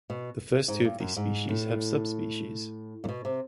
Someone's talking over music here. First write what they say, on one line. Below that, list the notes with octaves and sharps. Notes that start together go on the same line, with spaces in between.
The first two of these species have subspecies.
B2
G#2
G2
F#2
G#2
A2
A#2
B2
C3